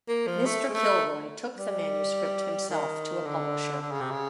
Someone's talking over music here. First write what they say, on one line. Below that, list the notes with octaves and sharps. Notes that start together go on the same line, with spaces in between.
Mr. Kilroy took the manuscript himself to a publisher.
A#3
F3
A3
G#3
A3
G3
D#3
D3
D3
C#3
C3
C#3